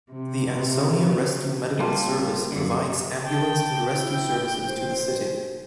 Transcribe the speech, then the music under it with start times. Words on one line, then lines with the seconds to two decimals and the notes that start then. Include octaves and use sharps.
The Ansonia Rescue Medical Service provides ambulance and rescue services to the city.
0.12 C3
1.79 G3 A#3 C4 D4 F4
2.52 F#2 D3
3.24 G5 A5
3.93 E4
4.69 C5